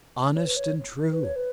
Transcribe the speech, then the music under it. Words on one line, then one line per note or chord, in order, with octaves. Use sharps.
"Honest and true."
C#5
B4
C#5
B4
C#5
B4